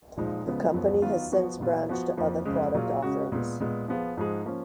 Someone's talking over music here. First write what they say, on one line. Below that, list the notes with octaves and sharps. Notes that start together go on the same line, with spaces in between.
The company has since branched to other product offerings.
A#2 F3 G#3 D#4
C#3 F3 G#3 B3
F#2 F3 B3
D#3 F#3 B3 F4
F3 B3 F#4
A#2 F#3 B3 F4
F3 B3 F#4
F2 F3 A#3
F2 C#3 G#3
A#2 F#3 A#3 F4 G#4
C#3 G#3 C#4 F#4
A#2 G#3 B3
A#2 G#3 B3
F3 B3 F4 G#4
G#2 F3 G#3 D#4 G#4
F3 A#3 C#4